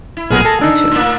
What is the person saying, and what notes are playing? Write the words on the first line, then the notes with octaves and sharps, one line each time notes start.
You too.
E4
B1 A#2 B3 G#4 A#4 F6
A4 A5 A#6
D4 D#4 E6
A2 A#3